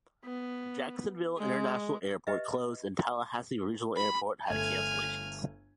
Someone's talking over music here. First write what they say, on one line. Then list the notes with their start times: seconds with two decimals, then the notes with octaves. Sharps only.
Jacksonville International Airport closed and Tallahassee Regional Airport had cancellations.
0.25 B3
1.38 G#3
2.27 G4 B4 D#5 E5
3.97 B5
4.50 G1 A3 G#5 F6 G#6